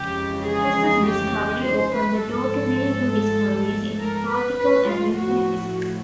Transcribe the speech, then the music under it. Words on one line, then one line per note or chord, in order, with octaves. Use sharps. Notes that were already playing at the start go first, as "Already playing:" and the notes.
Hess's discovery opened the door to many new discoveries in particle and nuclear physics.
Already playing: F2 C#3 E3 G#3 G4
G#4
G4
C5
B4
G#2 F3 G#3 A4
A#4
B4
A2 F3 A3 B4
F4
F#4